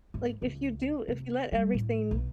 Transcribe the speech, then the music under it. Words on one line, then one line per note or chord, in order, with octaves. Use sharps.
like if you do if you let everything
G#2
C#2
C3
G3
A2
B1